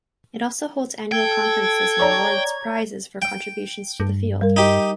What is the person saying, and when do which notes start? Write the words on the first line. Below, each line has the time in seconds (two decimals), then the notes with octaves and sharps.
It also holds annual conferences and awards prizes for contributions to the field.
1.12 A4 G5 G#6
1.99 C#5 D5 A#5
3.22 G5
4.00 G2
4.41 G3 A#4
4.56 D#4 G4